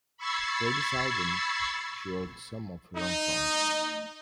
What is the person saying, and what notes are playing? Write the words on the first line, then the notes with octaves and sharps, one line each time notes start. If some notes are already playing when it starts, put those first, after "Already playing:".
For this album she wrote some of her own songs.
B5 C#6 E6 G#6 A6 C7
D#4